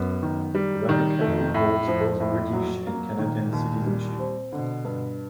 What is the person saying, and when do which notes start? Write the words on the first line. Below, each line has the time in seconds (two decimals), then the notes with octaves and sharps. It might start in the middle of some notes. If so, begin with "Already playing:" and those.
Raducanu holds both British and Canadian citizenship.
Already playing: F#2 B3
0.23 D#3
0.55 G3
0.89 D#3
1.21 F2 A3
1.54 A2
1.88 F2 F3
2.20 A2
2.53 F#3
2.87 A#3
3.19 A#2 D#3
3.53 D#2
3.86 G3
4.19 C4
4.52 B2 D3
4.85 G2